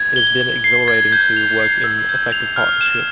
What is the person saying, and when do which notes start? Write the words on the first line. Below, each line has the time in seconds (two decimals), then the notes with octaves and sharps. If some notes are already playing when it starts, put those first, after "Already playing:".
It has been exhilarating to work in effective partnership.
Already playing: G#6
0.16 G7
0.41 G#6
0.64 C7
0.88 G#6
1.12 G6
1.36 F7
1.61 C7
1.84 E6
2.09 G6
2.32 F7
2.56 F6
2.81 E7